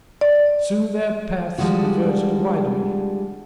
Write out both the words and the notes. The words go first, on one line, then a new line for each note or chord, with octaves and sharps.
Soon their paths diverged widely.
D5
F3 G3 G#3 D4 F#4